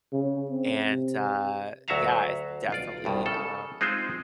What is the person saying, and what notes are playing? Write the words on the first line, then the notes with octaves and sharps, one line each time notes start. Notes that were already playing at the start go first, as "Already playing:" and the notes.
and, uh, yeah, it's definitely, um,
C#3
C4
C3
D2 F#3 F#4 E5 F5 A#5
B1 F4 D5
C2 G2 B2
C#3 A4
G#3 C4 D#4 F4 G#4 C5